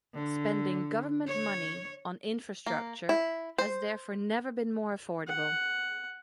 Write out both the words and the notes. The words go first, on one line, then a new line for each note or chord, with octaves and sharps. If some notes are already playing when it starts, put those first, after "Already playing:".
Spending government money on infrastructure has therefore never been more affordable.
D3
C#5
A#3
E4
C5
F#5